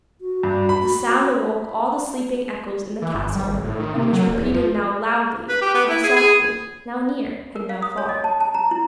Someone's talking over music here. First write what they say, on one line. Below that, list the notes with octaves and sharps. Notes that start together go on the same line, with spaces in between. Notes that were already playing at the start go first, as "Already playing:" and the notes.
The sound awoke all the sleeping echoes in the castle, and was repeated now loudly, now softly; now near, and now far.
F#4
G2
B5
E3
G1
G3
G#1
A2
D#3
C3
F#3
D#1
E2
F3
B4
G4
B3
E4
G#4
G#4
A#4
F5
D#6
C#5
D#5
A5
A5
A#5
E4